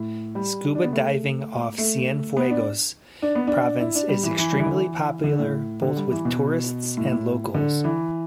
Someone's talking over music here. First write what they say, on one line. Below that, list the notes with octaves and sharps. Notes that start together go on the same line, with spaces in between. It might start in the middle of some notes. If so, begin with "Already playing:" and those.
Scuba diving off Cienfuegos province is extremely popular both with tourists and locals.
Already playing: A2
G3
D4
B3
A3
A3
B3
D4
D4
B3
D4
E4
D4
G3
E3
E3
G3
E3
D3
E3
D3
A2
D3
G3
E3
B2
A2
A2
D3
E3